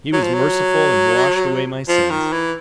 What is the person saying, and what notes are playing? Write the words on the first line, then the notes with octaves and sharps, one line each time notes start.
He was merciful and washed away my sins.
F#3
F3
F#3
F3
D#3
E3